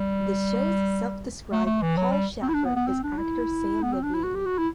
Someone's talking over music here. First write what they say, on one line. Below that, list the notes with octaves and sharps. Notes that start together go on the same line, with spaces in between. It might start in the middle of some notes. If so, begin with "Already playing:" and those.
The show's self-described "Paul Shaffer" is actor Samm Levine.
Already playing: G3
A3
A3
E3
F#3
G3
C4
E4
D4
B3
B3
C4
D4
E4
B3
C4
D4
E4
F#4
G4
F#4
E4